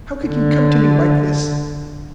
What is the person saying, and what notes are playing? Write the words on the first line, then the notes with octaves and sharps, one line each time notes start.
How could you come to me like this!
D3